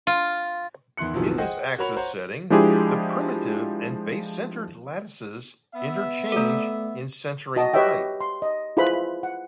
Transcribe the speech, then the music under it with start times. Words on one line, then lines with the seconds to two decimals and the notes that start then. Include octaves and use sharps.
In this axis setting, the primitive and base-centered lattices interchange in centering type.
0.07 F4
0.97 E2 D#3 E4 C6 F#6 C#7
1.14 A#1 E2 C3 D#3 F3 F#3
1.38 G#4 C5 D#5 F#5 G5
1.78 F#4 A#4 C#5 B5 F7
1.97 C5 C#5 F#5 A#5
2.50 F3 G#3 D4 E4 G4 G#4
5.75 B3 E5
6.32 A3 A4
7.56 F#4 D#5 A5
7.73 G4 B4 C#5 D#5 E5 G5
8.21 C6
8.42 D#5
8.77 E4 F4 G#4 B4 C5 B5
9.23 F#5